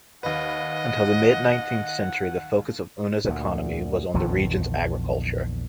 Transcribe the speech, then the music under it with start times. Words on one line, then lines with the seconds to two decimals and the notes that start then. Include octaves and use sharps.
Until the mid-nineteenth century the focus of Unna's economy was on the region's agriculture.
0.23 D#2 B4 D#5 F#5
3.24 D2 A#2
4.14 A#1 E2 D3 D#3